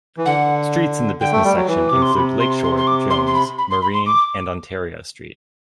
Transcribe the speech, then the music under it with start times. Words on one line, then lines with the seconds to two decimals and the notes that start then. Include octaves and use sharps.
Streets in the business section include Lakeshore, Jones, Marine, and Ontario Street.
0.18 E3
0.25 D3 F#5
1.21 D3 G5
1.32 A3
1.45 G3
1.56 F#3
1.68 E3
1.89 C3 D6
2.02 C6
2.15 C3 B5
2.40 C6
2.64 C6
2.77 C6
2.87 D6
3.10 C6
3.27 C6
3.35 B5
3.58 B5
3.70 C6
3.82 B5
3.94 C6
4.06 D6